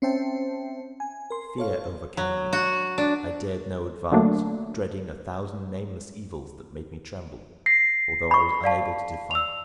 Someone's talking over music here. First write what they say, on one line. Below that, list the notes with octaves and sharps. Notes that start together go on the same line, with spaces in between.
Fear overcame me; I dared no advance, dreading a thousand nameless evils that made me tremble, although I was unable to define them.
C4 C#4 C5 E5 G5 A5
G#5
A#4 C6
A4 C#5 F5
F#3
F#4
D4
D3 F#3 A3 A#3 D4
A#6 C7
B5 C#6
D5 F5 A5
E6 F7